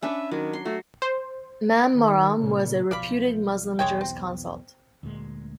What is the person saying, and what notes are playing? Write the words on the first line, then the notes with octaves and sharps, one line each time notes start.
Mame Maram was a reputed Muslim jurisconsult.
C#4 D4 B4 E5
D#3 F#3
C6
A3 F#4
C5
D#3
A#2 C#3
B1 F3 D5 F5 B5
B1 E2 G#3 C#5 G5
C4
D2 A#2 G#3